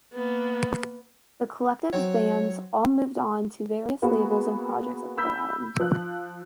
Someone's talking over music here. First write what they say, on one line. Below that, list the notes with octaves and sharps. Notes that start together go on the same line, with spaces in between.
The collective's bands all moved on to various labels and projects of their own.
A#3 B3
F#3 C4 C#5
A#3 B3 F#4 G#4
B5 E6 G6 B6
F3 F#6